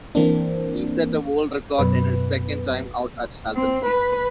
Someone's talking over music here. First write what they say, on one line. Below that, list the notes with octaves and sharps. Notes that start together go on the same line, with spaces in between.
He set a world record in his second time out at Salton Sea.
E3 A#3 C4 D4
F#2 B2 B4
C4
B4